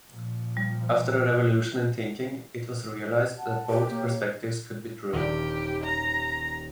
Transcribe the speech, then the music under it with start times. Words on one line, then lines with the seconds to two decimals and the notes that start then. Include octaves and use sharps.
After a revolution in thinking, it was realized that both perspectives could be true.
0.10 A#2 F3
0.57 G3
3.38 F#5 A5
3.70 G4 B4
3.89 A#3 C#5
5.12 D#1 D#2 G4 B4
5.83 A#5